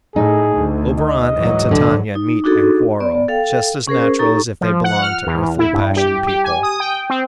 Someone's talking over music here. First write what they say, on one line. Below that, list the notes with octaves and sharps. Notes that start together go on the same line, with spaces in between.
Oberon and Titania meet and quarrel, just as natural as if they belonged to earthly passion people.
A2 D#4 G#4
D2
D#5
G#2 E3 F#3
D2 D3
D#4
D4 D#4 F#4 G#4 A4
B3 D5
A4 F5 G5
C#4 G#4 A#4 C5
D#4 G4 A4 A#5 C#6
F3
F#5
F6
E2
E4
G2
G4
G4
G#5
D#6
G5
C4